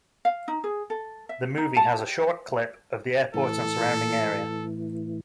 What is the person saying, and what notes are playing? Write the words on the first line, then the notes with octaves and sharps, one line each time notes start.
The movie has a short clip of the airport and surrounding area.
F5
D#4
G#4
A4
E5
D#4
A5
G4
C5
A2 E3 A4